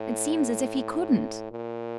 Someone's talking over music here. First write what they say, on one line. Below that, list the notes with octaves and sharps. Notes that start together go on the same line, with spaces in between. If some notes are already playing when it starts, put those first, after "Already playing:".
"It seems as if he couldn't."
Already playing: A2
A#2